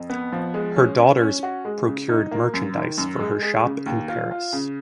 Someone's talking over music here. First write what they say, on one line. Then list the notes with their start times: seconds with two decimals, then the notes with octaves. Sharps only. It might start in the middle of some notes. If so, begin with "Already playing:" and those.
Her daughters procured merchandise for her shop in Paris.
Already playing: F2
0.10 B3
0.32 F3
0.54 G#3
0.76 C#4
0.98 C#4
1.20 C#4
1.43 F#4
1.65 G#3
1.86 C#3
2.09 D#4
2.32 A#3
2.54 F#2
2.75 D#3
2.98 F#2
3.20 G#3
3.42 G#3
3.64 C#3
3.86 D#2
4.09 F4
4.31 F4
4.53 C#3